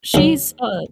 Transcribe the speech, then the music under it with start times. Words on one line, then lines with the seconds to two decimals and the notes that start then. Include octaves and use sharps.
She's a
0.14 D#2 F#3